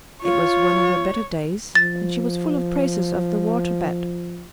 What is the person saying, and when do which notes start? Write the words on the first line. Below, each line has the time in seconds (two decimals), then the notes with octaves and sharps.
It was one of her better days, and she was full of praises of the water-bed.
0.23 F4 C#5
1.75 F3 A6